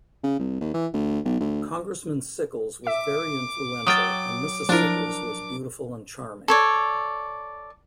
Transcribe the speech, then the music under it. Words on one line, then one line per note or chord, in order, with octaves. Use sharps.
Congressman Sickles was very influential and Mrs. Sickles was beautiful and charming.
C#3
C2
D#2
E3
D2
B1
D2
E5 D6
F#3 G5 D#6 F6 A6
F3 D4 E4 A#4
A4 C#5 D5